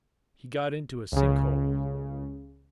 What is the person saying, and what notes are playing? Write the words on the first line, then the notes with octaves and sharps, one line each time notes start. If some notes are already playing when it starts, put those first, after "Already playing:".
"He got into a sink-hole."
C#2 C#3